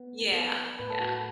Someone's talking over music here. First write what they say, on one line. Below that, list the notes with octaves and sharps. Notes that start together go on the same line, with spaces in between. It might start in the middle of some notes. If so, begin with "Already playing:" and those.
Yeah. Yeah.
Already playing: B3
B3
A2 B4
A4
F#4
A4